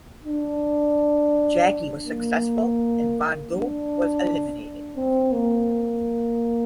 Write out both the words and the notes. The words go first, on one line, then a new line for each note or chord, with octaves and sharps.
Jackie was successful and Von’Du was eliminated.
D4
A#3
D4
C4
A#3